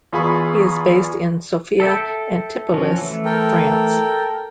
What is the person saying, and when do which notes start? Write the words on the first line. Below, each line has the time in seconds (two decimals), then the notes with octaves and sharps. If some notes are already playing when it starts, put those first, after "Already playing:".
He is based in Sophia Antipolis, France.
0.13 E2 F4 G#4 B5 C#6
1.80 A4 E5 G5
2.74 F3 C#4 F#4
2.98 E3 A3
3.25 A4 A#4 G5